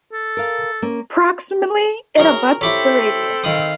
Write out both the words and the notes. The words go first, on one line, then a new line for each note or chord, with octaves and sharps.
Proximally, it abuts the radius.
A4
A#4 F5
A#3 C#4
F#4 G#4 A#4 C#5
C4 E4 G4 A4 C#5 B5
D#3 F5 B5 D#6